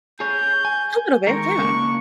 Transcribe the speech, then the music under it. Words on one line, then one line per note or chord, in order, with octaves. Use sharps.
A little bit, yeah.
G#4 C#5 G6
G#5
D#3 G#3 A#4 C#6
C#3 A#3 D4